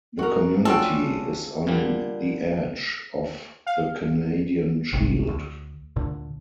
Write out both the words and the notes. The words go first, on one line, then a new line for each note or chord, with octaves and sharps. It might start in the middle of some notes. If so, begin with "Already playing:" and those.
The community is on the edge of the Canadian Shield.
F#4 A#4
C#4 D4 F4 F#4 A4 G5
A#2 D3 G3
F5
G1 C2 G#2 C3
D2
D2 A#2 D3